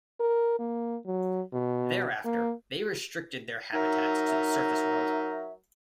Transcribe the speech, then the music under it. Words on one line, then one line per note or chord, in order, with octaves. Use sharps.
Thereafter, they restricted their habitats to the surface world.
A#4
A#3
F#3
B2
A#3
F#3 D#4 A#4 E5